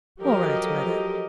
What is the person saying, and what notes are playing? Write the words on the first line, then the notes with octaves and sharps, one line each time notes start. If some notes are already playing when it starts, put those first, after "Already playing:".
'All right, Mother.
F3 F#3 G4 A4 A#4 D#5